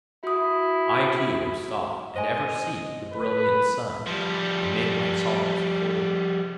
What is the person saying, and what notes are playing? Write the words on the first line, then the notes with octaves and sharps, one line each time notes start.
I too have sought, and ever seek, the brilliant sun, and make my songs according.
E4 F#4 D#6
C5 D#5 G#5
B4
F3 G3